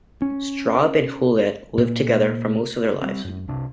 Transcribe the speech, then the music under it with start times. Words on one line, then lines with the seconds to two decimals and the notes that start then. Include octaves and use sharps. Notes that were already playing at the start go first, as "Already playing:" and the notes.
Straub and Huillet lived together for most of their lives.
0.22 C#4
1.78 A#2
3.02 G3 G#3 C4
3.25 F#2
3.48 C2 C3 D4